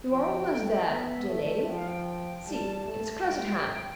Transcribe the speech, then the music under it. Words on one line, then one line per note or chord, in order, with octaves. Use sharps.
"You are almost there, dear lady--see, it is close at hand!"
F3 G5
A3
B3 E5
A3
F3 G5
F5
G5
G3 A5
A3 A5
G3 G5